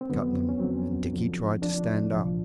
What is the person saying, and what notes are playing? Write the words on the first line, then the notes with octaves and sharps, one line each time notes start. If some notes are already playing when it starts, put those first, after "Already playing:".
He cut them, and Dickie tried to stand up.
C4
F2 D3 F#3 B3
C#4
F2 D3 F#3 C4
D2 D3 F3
D2 D3 F3 D4
C2 A#2 F3